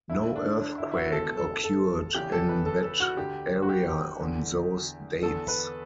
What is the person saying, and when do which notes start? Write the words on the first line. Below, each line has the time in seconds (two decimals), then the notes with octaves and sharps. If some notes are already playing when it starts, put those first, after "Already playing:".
No earthquake occurred in that area on those dates.
0.10 D2 D3 E4
0.36 D4
0.61 D4
0.78 E4
0.92 E4
0.95 F#4
1.12 C#2 B2 A4
1.37 A4
1.64 A4
2.15 E2 C#3 E3 G4
2.32 A4
2.49 B4
2.66 A4
2.83 A4
3.00 F#4
3.17 D2 D3 G4
3.62 F#4
3.69 G4
4.20 E2 D3
5.22 E2 D3 A4
5.48 B4